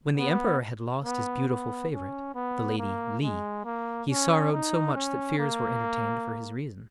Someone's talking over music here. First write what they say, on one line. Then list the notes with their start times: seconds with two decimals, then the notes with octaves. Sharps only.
When the Emperor had lost his beautiful favorite, the Lady Li, he sorrowed so much that fears were entertained for his reason.
0.18 B3
1.04 B3
1.48 B3
1.92 C#4
2.35 B3
2.78 A#3
3.22 G#3
3.65 A#3
4.09 C#4
4.52 D#4
4.95 C#4
5.38 A#3